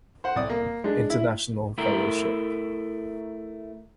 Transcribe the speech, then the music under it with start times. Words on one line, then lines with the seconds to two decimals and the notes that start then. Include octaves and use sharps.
International Fellowship.
0.24 C5 F#5
0.36 C2 D5 D#6
0.50 A#3
0.84 G#3 D4
1.10 E4
1.78 A3 E4 A#4